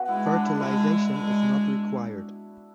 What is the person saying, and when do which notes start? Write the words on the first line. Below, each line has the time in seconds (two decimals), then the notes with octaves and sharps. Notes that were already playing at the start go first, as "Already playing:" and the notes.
Fertilization is not required.
Already playing: B3 F#4
0.08 G#3 E4
0.26 D4
0.43 E4
0.60 G#3 E4
1.12 G#3